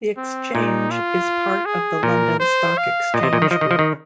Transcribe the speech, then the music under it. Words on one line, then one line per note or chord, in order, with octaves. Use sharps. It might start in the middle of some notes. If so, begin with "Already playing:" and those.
The Exchange is part of the London Stock Exchange Group.
C4
A#2 D#4
F4
G#4
A#2 A#4
C5
F5
A#2 D#5
C3
A#2
D#3
F3 D#5
D#3
F3
D#3